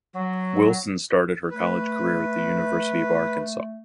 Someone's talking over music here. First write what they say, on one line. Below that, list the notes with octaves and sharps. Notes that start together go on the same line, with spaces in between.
Wilson started her college career at the University of Arkansas.
F#3
A3 B4